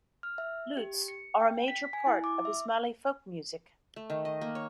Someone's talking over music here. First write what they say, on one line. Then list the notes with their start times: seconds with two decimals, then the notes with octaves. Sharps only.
Lutes are a major part of Ismaili folk music.
0.23 F6
0.38 E5
0.77 G4
1.08 C#7
1.40 G5
1.68 B6
1.93 G#5
2.07 E4
2.24 D6
2.45 E5
3.96 A3
4.10 D#3
4.25 D#5
4.41 A#3
4.55 C#5